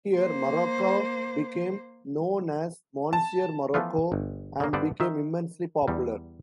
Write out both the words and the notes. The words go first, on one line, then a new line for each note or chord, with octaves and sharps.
Here Marocco became known as "Monsieur Moraco", and became immensely popular.
A#3 C5
A5
E3 F3 A3 B3 F4
G1
C#3 A#3
G2 D3 B3 C5 D5
D#3 E5
E2 G3